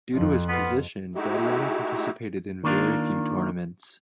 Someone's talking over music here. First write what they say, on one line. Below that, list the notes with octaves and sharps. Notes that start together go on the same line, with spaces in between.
Due to his position, Dadiani participated in very few tournaments.
F2 F3
B3 F4
G#3 A3 D#4 E4 F#4 G4
D#3 A#3 D4 F4 A#4